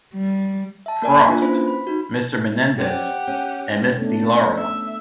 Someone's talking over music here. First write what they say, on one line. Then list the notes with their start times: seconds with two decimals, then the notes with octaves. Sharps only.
Frost; Mr. Menendez; and Ms. DeLauro.
0.13 G3
0.86 E5 A5
1.02 A#3 A#4 D5 G#5
1.27 A#3 D4 F4 B4
1.42 C#4 E4 C5 B5
1.68 B5
1.87 D#4 F#4
2.78 C#4 G4 C5 D5 F#5
3.27 C#4
3.98 A3 B3 D4
4.57 E5